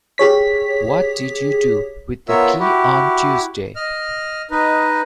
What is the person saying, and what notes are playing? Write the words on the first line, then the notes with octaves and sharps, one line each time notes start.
What did you do with the key on Tuesday?
G4 G#4 C#5 B6
B3 F4 A#4 C#5 E5 E6
E4 F#4 G4
D#5 F6
D#4 B4 D#5